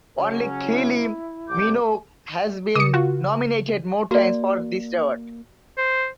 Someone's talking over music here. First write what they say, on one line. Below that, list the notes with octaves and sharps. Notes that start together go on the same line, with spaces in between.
Only Kylie Minogue has been nominated more times for this award.
C#3 F#3 C#4
E4
C2 D6 G6
C#3 D#6 C#7
F4 F#4
A#3 F#4 D5
C5